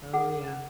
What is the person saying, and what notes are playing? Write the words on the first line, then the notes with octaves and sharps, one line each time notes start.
Oh, yeah.
G#4 F#5